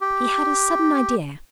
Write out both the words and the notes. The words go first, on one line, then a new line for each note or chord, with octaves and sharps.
He had a sudden idea.
G4